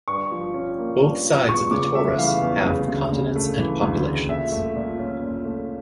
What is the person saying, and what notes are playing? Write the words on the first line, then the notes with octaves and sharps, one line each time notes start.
Both sides of the torus have continents and populations.
G2 C#6
F3
C#4
A#3
G2
F3
E2 C#6
C#3 D6
A3 E5
E3 F5
E2
C#3
D2
C#3
A3
E3
D2
C#3
A#2 E5
A3
A#2
C#4
A#2
A3